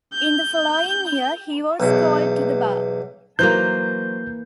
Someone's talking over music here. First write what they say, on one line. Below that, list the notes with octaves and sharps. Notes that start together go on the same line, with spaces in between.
In the following year he was called to the bar.
G6
B1 E2
E3 F#3 A#3 C5 G6